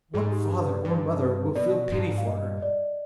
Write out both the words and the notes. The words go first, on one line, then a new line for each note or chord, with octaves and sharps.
What father or mother will feel pity for her?
G#2 G#4
G4
G2
B4
B4
G2
B4
B2 D5
G#2
G2
G#2
F5
G2 D#5
D5